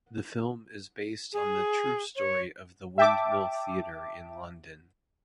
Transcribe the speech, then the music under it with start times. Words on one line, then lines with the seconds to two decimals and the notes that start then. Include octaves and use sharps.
The film is based on the true story of the Windmill Theatre in London.
1.33 G#4
2.16 C#5
2.98 E5 G5 A5 D6